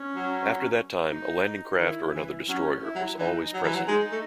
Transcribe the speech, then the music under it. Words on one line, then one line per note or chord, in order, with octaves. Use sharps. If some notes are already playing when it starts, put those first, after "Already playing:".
After that time, a landing craft or another destroyer was always present.
Already playing: C#4
F#3
D#4
D#3 E4
E3
F#3 C#4
E4
F#3
E3 D#4
F#3
E3
F#3
G#3 D#4
A3